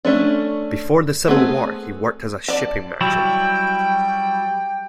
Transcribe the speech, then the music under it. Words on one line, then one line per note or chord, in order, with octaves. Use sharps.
Before the Civil War, he worked as a shipping merchant.
A3 C#4 D4
A3 B3 C4 G#4
D5 A5
F#3 G3 E4 G5